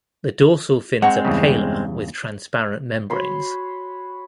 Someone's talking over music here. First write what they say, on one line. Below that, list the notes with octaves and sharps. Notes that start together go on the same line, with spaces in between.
The dorsal fins are paler with transparent membranes.
G#3 C4 F#5 A#5 C#6
E2 G2 C#3
F#4 C#5 B5 C6